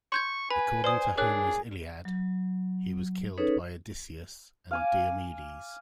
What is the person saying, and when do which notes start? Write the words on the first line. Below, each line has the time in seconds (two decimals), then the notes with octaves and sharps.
According to Homer's Iliad, he was killed by Odysseus and Diomedes.
0.12 C6 C#6 G6 G#6
0.50 B4 G#5 B5
0.84 B4 C5 D5 D#6
1.18 D4 G#4 A#4 C#5 F#6
2.05 F#3
3.38 C#4 D#4 G#4 A4 B4 C#5
4.71 F5 G#5 D6